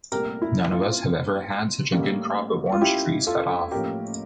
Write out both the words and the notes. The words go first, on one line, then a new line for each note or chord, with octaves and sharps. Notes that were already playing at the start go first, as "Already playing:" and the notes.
None one of us has ever had such a good crop of orange trees cut off.
C2 A#2 A3 G4 A#4
E4
F4
A1 A2 G3 A#3
F4
E4 G4
F4 A4
A1 A2 F3 A#3 G4 A#4